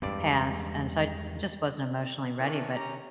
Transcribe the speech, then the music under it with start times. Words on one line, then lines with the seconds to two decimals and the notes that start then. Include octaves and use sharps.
passed, and so I just wasn't emotionally ready, but
0.02 E2 G2 G#3 C4 D5
2.38 D#3 E3 C#4 D4
2.75 C#4 G4 A#5